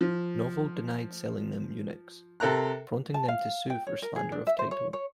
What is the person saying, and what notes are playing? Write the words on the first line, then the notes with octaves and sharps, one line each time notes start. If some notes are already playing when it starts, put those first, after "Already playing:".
Novell denied selling them Unix, prompting them to sue for slander of title.
F3
C3 A4 A#4 A#5 F#6
A5
F5
G5
C#5
A#4
G#4
D4
E5
C5
C#5
C#5